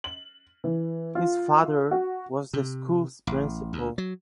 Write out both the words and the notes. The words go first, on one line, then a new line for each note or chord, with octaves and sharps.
His father was the school's principal.
F#7
E3
F4
F#4
C3
A1
D2
F#3